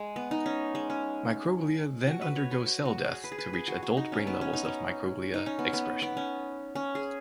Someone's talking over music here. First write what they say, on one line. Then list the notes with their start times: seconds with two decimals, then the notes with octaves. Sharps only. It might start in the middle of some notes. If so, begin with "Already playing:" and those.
Microglia then undergo cell death to reach adult brain levels of microglia expression.
Already playing: G#3
0.16 B3
0.31 D#4
0.46 C#4
0.75 G#3
0.90 C#4
2.07 F#4
2.21 B4
2.36 C#5
2.51 B4
2.66 F#4
2.85 F#4
3.04 G#4
3.24 B4
3.32 G#4
3.38 B4
3.53 G#4
3.68 F#4
3.83 F#4
3.97 D#4
4.12 C#4
4.27 B3
4.41 C#4
4.53 D#4
4.65 C#4
5.34 D#4
5.46 C#4
5.59 B3
5.73 B3
6.02 B3
6.17 C#4
6.75 C#4
6.95 G#4